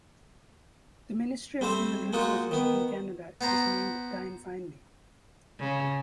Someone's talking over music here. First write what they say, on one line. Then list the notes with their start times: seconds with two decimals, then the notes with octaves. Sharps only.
The Minister of Human Resources in Canada is named Diane Finely.
1.61 G3 A3 C4 C5
2.13 G#3 A#3 D#4 F4 F#4
2.51 D#3 B3
3.41 B3 C5 A#5
5.59 C#3